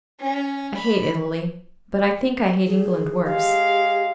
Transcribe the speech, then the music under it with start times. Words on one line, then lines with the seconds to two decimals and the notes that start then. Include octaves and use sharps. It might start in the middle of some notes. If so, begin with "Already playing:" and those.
I hate Italy, but I think I hate England worse.
0.19 C#4
0.78 B5
2.66 G#4
3.25 G#3 G4 F5